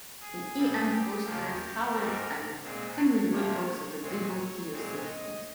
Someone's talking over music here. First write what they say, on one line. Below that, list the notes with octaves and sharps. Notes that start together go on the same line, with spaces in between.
In E. M. Forster's "Howards End", Henry Wilcox is a devotee of Simpson's.
G#4
A#2 G3 C4
G4
D#2 C#3 F3 A#3
G#2 G3 C4 A#4
A#2 G#3 C4
C#5
C3 F3 A#3 C#5
A#2 G#3 C4
C#5
A#2 G#3 C4
D#5